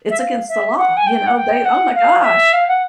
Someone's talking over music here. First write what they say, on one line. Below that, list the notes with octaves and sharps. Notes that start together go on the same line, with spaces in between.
It's against the law. You know, they oh my gosh.
E5
F5
E5
F#5
G#5
G5
F#5
G5
F#5
F5
E5
F5
F#5